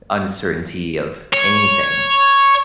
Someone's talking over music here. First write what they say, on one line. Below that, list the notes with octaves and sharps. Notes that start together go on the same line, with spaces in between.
uncertainty of anything
C#5